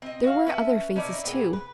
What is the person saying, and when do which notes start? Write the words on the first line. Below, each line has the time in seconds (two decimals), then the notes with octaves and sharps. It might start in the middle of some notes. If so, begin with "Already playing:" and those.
There were other phases, too.
0.02 C4 D#5
0.24 F#4 F5
0.47 C#4 B4 E5 A5
0.96 C#4 D#4 E4 D5
1.24 A#2 B3 C4 G#4
1.53 B4